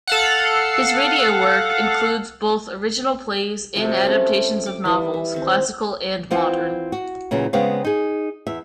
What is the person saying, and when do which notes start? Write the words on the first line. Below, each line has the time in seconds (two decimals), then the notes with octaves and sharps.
His radio work includes both original plays and adaptations of novels, classical and modern.
0.07 A4 F5 F#5
3.76 C3 F3 F#4
4.03 A3 C4 C#4
4.66 D6
4.85 E3 G3 D5
5.14 E5
5.34 D#3 C4
6.31 E3 C4 F4 F#5
6.92 F#4
7.31 A#2 C#3 E3 F#3
7.53 C#3 G#3 B3 C4 C#5 F5
7.85 D#4 G#4
8.47 E2 E5